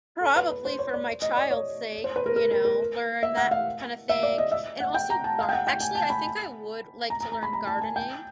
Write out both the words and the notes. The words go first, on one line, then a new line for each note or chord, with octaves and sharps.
probably for my child's sake, you know, learn that kind of thing," and also, gar actually, I think I would like to learn gardening,
A4
B4
B4
C5
C#5
D5
D#5
D5
C#5
C5
B4
A#4
A#4
A#4
A#4
E5
F#5
F5
E5
D5
D#5
E5
F#5
G5
A#5
A5
F5
G5
F#5
G5
G#5
A5
B5
A#5
A#5
A#5
B5
A#5
A5
G#5
G5